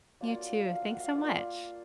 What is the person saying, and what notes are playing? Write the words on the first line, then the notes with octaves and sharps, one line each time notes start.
You too. Thanks so much.
F#3 A#3 D4 F4 D5
F5
F#5
F5
A#3 F4 D5